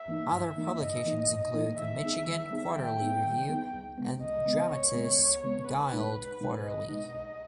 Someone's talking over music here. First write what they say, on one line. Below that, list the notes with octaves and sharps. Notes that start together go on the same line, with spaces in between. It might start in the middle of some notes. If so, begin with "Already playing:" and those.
Other publications include "The Michigan Quarterly Review" and "Dramatists Guild Quarterly".
Already playing: E5
E3 A#3 D#4
G2
E3 A#3 D#4
G2 D#5
E3 A#3 D#4
G2
E3 A#3 D#4
D#3 E5
G3 B3 D#4 G#4
D#3
G3 B3 D#4 G#4
D#3 G5
G3 B3 D#4 G#4
D#3
G3 B3 D#4 G#4
C#2
C#3 G#3 B3
C#2 D#5
C#3 G#3 B3
C#2 C#5
C#3 G#3 B3
C#2
C#3 G#3 B3
B1 B4
B2 G#3 D#4
B1
B2 G#3 D#4
B1 D#5
B2 G#3 D#4
B1